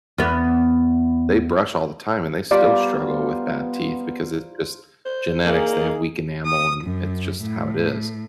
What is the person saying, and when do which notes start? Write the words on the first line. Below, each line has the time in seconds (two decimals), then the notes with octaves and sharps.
they brush all the time and they still struggle with bad teeth because it's just genetics. They have weak enamel and it's just how it is,
0.18 E2 B3
2.51 G3 B3 F4 C5 D5 A#5
5.05 C5
5.45 A#3 D#4 G#4
6.45 D#6
6.83 F#2
7.41 A2